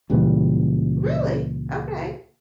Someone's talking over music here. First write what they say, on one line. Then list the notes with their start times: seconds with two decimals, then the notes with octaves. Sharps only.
Really? Okay.
0.10 C#2 A#2 E3 G3